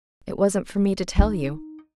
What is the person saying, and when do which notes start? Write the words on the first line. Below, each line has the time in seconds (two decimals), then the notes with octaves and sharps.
"It wasn't for me to tell you."
1.18 D#4